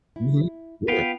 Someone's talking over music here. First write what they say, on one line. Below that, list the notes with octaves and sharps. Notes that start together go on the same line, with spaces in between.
Mhm. Yeah.
E4
B3 F4 B4 F5 G5